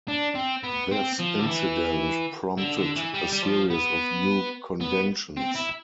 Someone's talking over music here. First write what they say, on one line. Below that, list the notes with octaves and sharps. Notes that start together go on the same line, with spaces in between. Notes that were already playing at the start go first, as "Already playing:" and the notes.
This incident prompted a series of new conventions.
D4
C4
B3
C4
F3
D3
E3
D3
D3
E3
G3
G3
F3
B3
B3
C4
E4